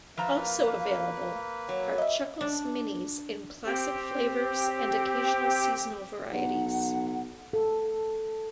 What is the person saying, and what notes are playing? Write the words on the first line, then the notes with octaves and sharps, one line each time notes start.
Also available are Chuckles Minis in classic flavors and occasional seasonal varieties.
F3 B4 E5 F5 A#5
A#3 B4
F#3 C#5
D#5 E5
D4
C4 G4
B1 F#5
A4